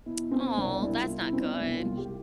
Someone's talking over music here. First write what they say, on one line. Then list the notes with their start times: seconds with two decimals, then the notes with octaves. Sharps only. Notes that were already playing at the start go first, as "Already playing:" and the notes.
Oh, that's not good.
0.06 B2 E4
0.31 B2 C4
0.57 C2 D4
0.83 C2 E4
1.02 F4
1.09 B2
1.21 E4
1.33 B2 C4
1.40 D4
1.60 C2 E4
1.78 F4
1.85 C2
1.97 G4